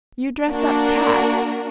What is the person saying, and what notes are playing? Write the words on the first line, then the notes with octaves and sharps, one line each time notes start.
"You dress up cats."
A#3 D4 F#4 A#4